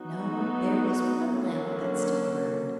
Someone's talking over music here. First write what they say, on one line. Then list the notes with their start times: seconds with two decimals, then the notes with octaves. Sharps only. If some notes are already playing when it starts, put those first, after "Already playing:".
No, there was one lamp that still burned.
Already playing: F#3 B3 D#4 F#4
1.29 D3 F#3 A#3 C#4